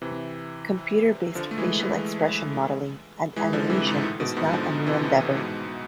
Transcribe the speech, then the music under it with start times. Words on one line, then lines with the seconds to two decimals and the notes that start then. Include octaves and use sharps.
Computer based facial expression modelling and animation is not a new endeavour.
0.02 C3 E3
1.35 D3 F3
1.51 A3
1.58 E3 G#3
1.80 E3 G#3
3.36 E3 G#3
3.53 D3 F3
3.70 C3 E3
3.87 G#2
4.03 A2
4.20 G#2 B2
4.37 G#2 B2
4.53 D3 F3
4.87 C3 E3
5.03 A2
5.20 A2
5.37 G#2 B2